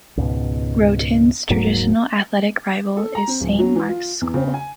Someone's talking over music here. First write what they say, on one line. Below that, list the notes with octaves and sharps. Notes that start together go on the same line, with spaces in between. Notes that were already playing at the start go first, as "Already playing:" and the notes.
Groton's traditional athletic rival is Saint Mark's School.
C#2 G#2 B2
D#1 G#2 F#3 A#3
A4
A#5
C4
D1
F#3
E3
F4
E2
C#3
G#5